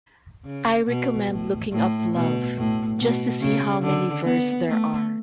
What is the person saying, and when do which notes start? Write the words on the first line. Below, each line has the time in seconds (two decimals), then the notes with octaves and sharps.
I recommend looking up “love” just to see how many verse there are!
0.45 C#3
0.87 B2
1.29 A2
1.72 A2
2.14 B2
2.56 A2
2.98 B2
3.41 C#3
3.83 D3
4.25 B3
4.67 A3